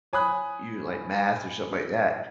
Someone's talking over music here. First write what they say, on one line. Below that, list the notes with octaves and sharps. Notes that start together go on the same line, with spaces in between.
you like math or something like that
C#5 G#5 B5 D#6 F#6